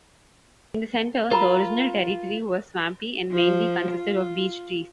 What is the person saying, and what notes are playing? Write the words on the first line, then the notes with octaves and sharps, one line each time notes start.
In the centre, the original territory was swampy and mainly consisted of beech trees.
F4 A#4 A#5 B5
F3
F4